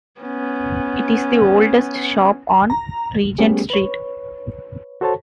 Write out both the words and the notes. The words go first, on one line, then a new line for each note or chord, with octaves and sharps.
It is the oldest shop on Regent Street.
B3 C#4
A#5
G3 A3 B3 C#4 G4 G#4
B4 C#5
F#4 A4 C5 C#5 A5